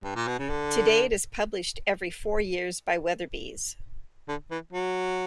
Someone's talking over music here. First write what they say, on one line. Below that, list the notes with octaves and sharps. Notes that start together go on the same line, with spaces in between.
Today it is published every four years by Weatherbys.
G2
A#2
B2
C#3
D3
D3
E3
F#3